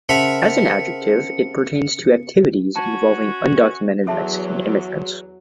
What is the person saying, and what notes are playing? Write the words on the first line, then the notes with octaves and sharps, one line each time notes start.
As an adjective, it pertains to activities involving undocumented Mexican immigrants.
C#3 A#4 C5 E5 F#5 A5 B5 C#7
C#4 F#4 A5
E2 F#3 A4 E5 A5